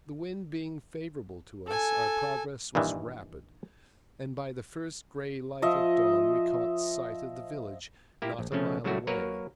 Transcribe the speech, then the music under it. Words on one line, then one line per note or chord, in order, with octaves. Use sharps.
The wind being favourable to us, our progress was rapid, and by the first grey light of dawn we caught sight of the village not a mile away.
A4 G#5
G2 A#2 D#3 E3
F3 D#5 E5
A#3 E4 F4 G4
A#1
C#3 F3 A3 C#4
C#3 F#3 G3 A3 E4 F#4
F#3 A#3 F#4 A#4 B4 C#5